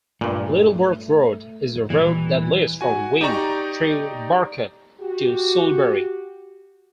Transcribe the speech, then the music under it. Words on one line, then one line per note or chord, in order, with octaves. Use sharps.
Littleworth Road is the road that leads from Wing through Burcott to Soulbury.
G2 A#2 A3
D#2 A#2 E3 G3
F#4 G#5
D#4 G4 D5 A#5 C#6
F#4 G4